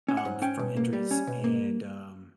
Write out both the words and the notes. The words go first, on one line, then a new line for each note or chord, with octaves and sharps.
um, from injuries and, um,
C#4
F#5
G#2
C#4 G5
B2
A#3
G3
C#4
B2
A#3